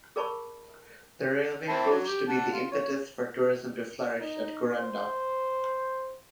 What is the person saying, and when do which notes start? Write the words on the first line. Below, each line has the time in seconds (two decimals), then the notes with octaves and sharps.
The railway proved to be the impetus for tourism to flourish at Kuranda.
0.16 G#4 A#4 D5 A5 B5 C#6
1.68 C4 E4 A5
1.90 F#3
2.07 G4
2.29 F#5 A5
2.52 F4
2.72 C#5
4.20 D#4
4.76 C5